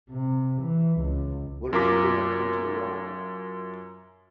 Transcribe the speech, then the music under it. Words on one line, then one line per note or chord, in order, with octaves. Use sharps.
What if she did not come to the rock.
C3
E3
C#2
F#2 F4 A#4 A#5 D6 B6